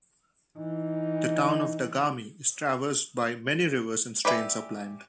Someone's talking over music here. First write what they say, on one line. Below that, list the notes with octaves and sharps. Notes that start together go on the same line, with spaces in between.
The town of Dagami is traversed by many rivers and streams upland.
E3 D#4
G4 B4 D5 E5 G#5